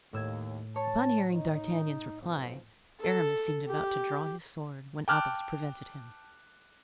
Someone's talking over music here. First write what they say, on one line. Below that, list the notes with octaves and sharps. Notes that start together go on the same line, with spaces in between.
Upon hearing D'Artagnan's reply, Aramis seemed about to draw his sword, when Athos prevented him.
D#2 A2 E6 G#6
C#5 A5
D#4
B1 F2 C4
A4
G4
G5 A5 D6 F6 F#6